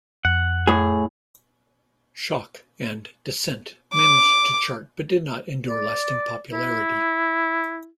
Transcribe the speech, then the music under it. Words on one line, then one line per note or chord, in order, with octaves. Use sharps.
"Shock" and "Descent" managed to chart but did not endure lasting popularity.
F2 F#5
A2 G#4
D6
D5
E4